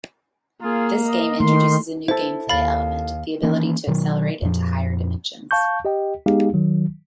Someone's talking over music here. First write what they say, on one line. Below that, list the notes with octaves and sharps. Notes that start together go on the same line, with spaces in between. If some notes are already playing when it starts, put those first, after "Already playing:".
This game introduces a new gameplay element: the ability to accelerate into higher Dimensions.
A#3 F4 G#4
D#5
D#3 A3 C6
E4 A4 C5
D#2 F5 B5 A6
D#3 E3 A#3 C#4
B2 D#3 F#3
F2 A#2 F3
F5 A5 C#6 G6
G4 D#5 G5
G#3 B3 D#4 G4 G#4 F5
D#3 F#3